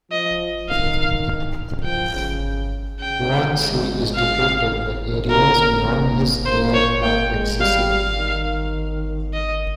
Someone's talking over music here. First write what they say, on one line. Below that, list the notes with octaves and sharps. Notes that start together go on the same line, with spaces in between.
Once he is defeated, the areas beyond his lair are accessible.
F3 D#5
D#3 F5
F3 G5
C#3
C#3 G5
G#3
F5
A#3 A#4
A#3
A#3
A#3 C5
C#5
A#3 G5
G#3
G3 F5
F5
D#3
D#5